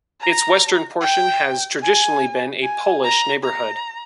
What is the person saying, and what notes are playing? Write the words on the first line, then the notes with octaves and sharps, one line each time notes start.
Its western portion has traditionally been a Polish neighborhood.
A#5
G5
G#5
G#5
A#5
A#5